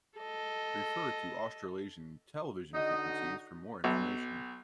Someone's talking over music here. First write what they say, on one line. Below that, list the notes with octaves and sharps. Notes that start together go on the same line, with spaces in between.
Refer to Australasian television frequencies for more information.
A4 D#5
D3 D#4 F#4 D#5
B1